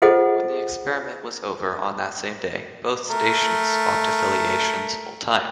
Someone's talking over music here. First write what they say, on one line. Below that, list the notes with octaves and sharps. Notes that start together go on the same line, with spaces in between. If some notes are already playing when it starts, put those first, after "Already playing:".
When the experiment was over, on that same day, both stations swapped affiliations full-time.
F4 G#4 A4 C5 D#5 F#5
A3 A#4